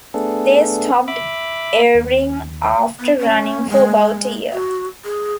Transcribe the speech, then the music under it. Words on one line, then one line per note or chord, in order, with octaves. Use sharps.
They stopped airing after running for about a year.
A3 B3 D4 G#4 A4
E5 B5 D6
D#2
B3
C#4
G#3
F#4
G#4